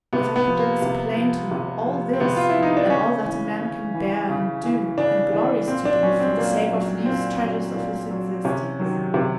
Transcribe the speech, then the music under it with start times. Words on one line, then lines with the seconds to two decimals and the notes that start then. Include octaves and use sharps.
If I could explain to you all this, and all that a man can bear and do, and glories to do, for the sake of these treasures of his existence!
0.13 C3 B3
0.36 B3
0.47 F3
0.59 A#3
0.82 C3
1.17 F3
1.51 C3
1.86 F3
2.13 C4
2.20 C3 B3
2.36 F4
2.50 E4
2.55 F3
2.63 D#4
2.77 D4
2.90 C#3 C#4
3.25 E3
3.60 C#3
3.94 E3
4.29 C#3
4.63 E3
4.98 C#3 D4
5.33 E3
5.68 A#2 C4
5.85 D4
6.03 F#3 C#4
6.20 C4
6.37 A#2 A#3
6.72 F#3
7.06 A#2 C4
7.42 F#3
7.75 A#2
8.11 F#3
8.45 C3 C#4
8.79 D#3 F#3
9.14 C3